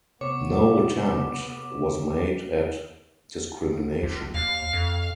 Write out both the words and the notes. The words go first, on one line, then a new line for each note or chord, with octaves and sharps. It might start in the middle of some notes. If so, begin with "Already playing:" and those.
No attempt was made at discrimination.
C3 B3 C#5 D6
C#2
D#2 F5
F2